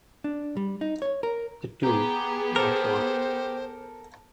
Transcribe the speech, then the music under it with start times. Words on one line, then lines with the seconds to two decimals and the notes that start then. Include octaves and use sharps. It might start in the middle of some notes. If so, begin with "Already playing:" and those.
The two are one.
0.24 D4
0.57 G3
0.81 D#4
1.02 C#5
1.23 A#4
1.83 B3 G4 G#4 A#5
2.56 A4 A#4 C5